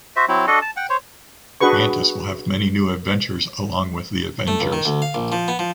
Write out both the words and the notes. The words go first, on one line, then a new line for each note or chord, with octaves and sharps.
Mantis will have many new adventures along with the Avengers.
F#4 C5 E5
F#3 C4 E4
D4 F#4 A4 D#5
A5
F#5 G5
C5 C#5
D4 F#4 G#4 B4 C#6
A3
C#2
D#3
D2
F5
A#1
F3
B3
F3